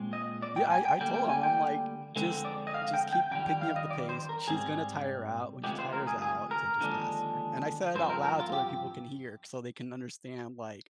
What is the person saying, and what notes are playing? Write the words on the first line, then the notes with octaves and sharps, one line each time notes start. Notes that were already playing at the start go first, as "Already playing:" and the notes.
Yeah, I I told him, I'm like, "Just just keep picking up the pace. She's gonna tire out. When she tires out, so, just pass her." And I said it out loud so other people can hear, so they can understand, like,
Already playing: A#2 G#3 C4
D#5
D5
G5
G#5
G5
D2 D3 G3 A#3 G5
G5
G#5
G5
F2 D3 G#3 C4
D5
D#5
F5
G5
G5
F2 D#3 G3 G5
G5
F5
D#5
D5
C5
A#4
G#2 G3 C4 G#4
D2 C3 F3 G#3 G4
C5
A#4
G#4
G#4
A#4
D#2 D3 F3 G#3 D4
G2 F3 C4 C5
A#4
A#4
F4
G4